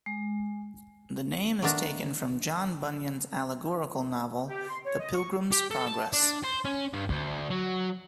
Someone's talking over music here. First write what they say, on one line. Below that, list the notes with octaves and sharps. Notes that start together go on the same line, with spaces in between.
The name is taken from John Bunyan's allegorical novel "The Pilgrim's Progress".
G#3
D#3 A3 B3 D4 A#4
G4
C6
C#5
D#5
C#6
G4
A4
A5
D4
C5
C#4
G2
D2
F#3